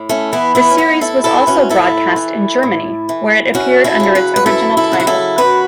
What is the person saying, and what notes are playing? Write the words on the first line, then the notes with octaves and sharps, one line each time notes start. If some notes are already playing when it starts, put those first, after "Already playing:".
The series was also broadcast in Germany, where it appeared under its original title.
Already playing: A2
A3 C#4
E3 B3 E4
B3 E4
C#4
A2 B3 E4
E4 A4
E3 E4 A4
C#4 F#4
A2 E4 A4
E3
A2
E3
F#2 C#4 F#4
E4 A4
C#3 F#3
F#4 B4
B4
F#2 E4 A4
E4 A4
C#3 F#3
F#4
E4 A4
F#2 F#4 B4